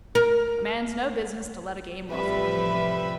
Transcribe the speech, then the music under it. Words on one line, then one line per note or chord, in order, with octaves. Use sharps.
"A man's no business to let a game ruffle him."
A#4
A1 C3 F3 G3 B4 E5